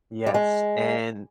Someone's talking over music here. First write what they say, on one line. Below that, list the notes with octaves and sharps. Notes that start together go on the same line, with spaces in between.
Yes, and
G3
G#3